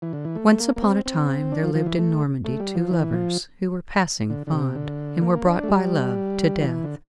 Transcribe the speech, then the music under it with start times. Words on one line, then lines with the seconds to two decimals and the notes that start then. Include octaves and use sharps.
Once upon a time there lived in Normandy two lovers, who were passing fond, and were brought by Love to Death.
0.02 E3
0.13 D3
0.25 E3
0.36 A3
0.48 A3
0.60 A#3
0.76 A#3
0.82 C4
1.06 C4
1.52 D4
1.63 F3
1.75 F3
1.86 E3
1.99 A3
2.45 A3
2.60 G3
2.75 F3
2.91 E3
3.13 F3
4.30 D3
4.47 D3
4.52 C3
4.75 D3
5.22 A#3
5.46 D4
5.63 A3
5.68 G3
6.61 E3
6.84 D3